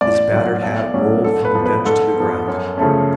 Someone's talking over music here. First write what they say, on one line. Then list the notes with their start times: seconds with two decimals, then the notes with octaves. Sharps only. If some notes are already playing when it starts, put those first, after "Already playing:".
His battered hat rolled from the bench to the ground.
0.01 A1 D5
0.32 G#2 F#3
0.62 B1
0.94 A2 F#3 C#4
1.24 G#2 A4
1.45 B4
1.55 F3 B3
1.66 B4
1.85 G#2 A4
2.16 F3 B3
2.47 F#2
2.78 C#3 F3 A3 C#4